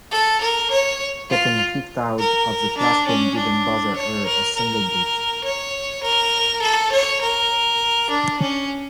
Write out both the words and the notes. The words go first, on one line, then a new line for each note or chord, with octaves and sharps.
Getting kicked out of the classroom didn't bother her a single bit.
A4
A#4
C#5
F4
A#4
D4
C#4
D4
C#5
A#4
A#4
C#5
A#4
A4
C#5
A#4
D4
C#4